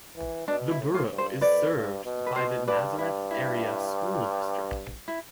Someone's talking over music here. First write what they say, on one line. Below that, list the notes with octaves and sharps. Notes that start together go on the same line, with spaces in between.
The Borough is served by the Nazareth Area School District.
E3
B2 D4
E4
A2
F4
G2
C5
F2 B4 D5
G2
B2
B4
B2 C5
G2 B4 D5
G2 E4
E4
E4